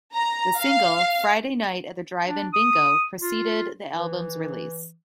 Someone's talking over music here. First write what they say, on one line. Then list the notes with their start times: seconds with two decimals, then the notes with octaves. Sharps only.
The single "Friday Night at the Drive-in Bingo" preceded the album's release.
0.14 A#5
0.58 F5
2.27 D4
2.53 D#6
3.21 F4
3.92 E3